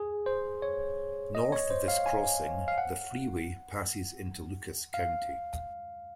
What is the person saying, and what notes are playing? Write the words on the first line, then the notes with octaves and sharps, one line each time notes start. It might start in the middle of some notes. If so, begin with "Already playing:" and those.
North of this crossing, the freeway passes into Lucas County.
Already playing: G#4
C5
C#5
D#5
C#5
C5
F5
G#5
F5
F#5
F5